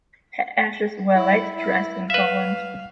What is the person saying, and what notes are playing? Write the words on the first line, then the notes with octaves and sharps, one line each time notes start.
Her ashes were laid to rest in Poland.
E4
E4
B4 E5 F5